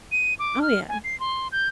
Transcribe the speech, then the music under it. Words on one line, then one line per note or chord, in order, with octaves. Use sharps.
Oh yeah.
D#7
D6
F6
G#5
C7
C6
G6